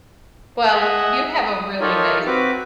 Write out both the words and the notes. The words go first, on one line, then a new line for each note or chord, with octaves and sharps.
Well, you have a really nice
G#4 D#5 E5 F#5
D#6
D#4 F4 G4 A4 A#4 C#5
C4 F#4 B4 D6